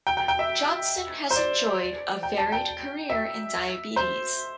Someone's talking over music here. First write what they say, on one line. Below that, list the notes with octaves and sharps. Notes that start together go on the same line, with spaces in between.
Johnson has enjoyed a varied career in diabetes.
G5
G5
G5
E5
C5
D5
G5
A5
G5
E5
C5